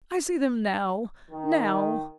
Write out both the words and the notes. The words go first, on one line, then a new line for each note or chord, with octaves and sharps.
I see them now--now!'
D#3